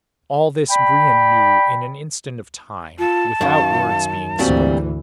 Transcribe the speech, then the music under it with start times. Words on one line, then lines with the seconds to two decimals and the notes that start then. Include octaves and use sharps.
All this Brion knew in an instant of time, without words being spoken.
0.70 D5 G5 B5
2.99 F4 A5
3.41 F#2 D#3 F5
4.39 G#1 D2 A#2 E3 F#3 G3 C4